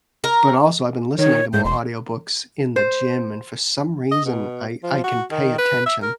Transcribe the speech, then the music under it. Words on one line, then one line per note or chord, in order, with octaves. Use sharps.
but also I've been listening to more audiobooks in the gym, and for some reason I I can pay attention.
A#4
D#3 C#5
G#2 G6
E1 C6
C5
D#5
B2
F3
F#4
D#3
B4
E5
A#4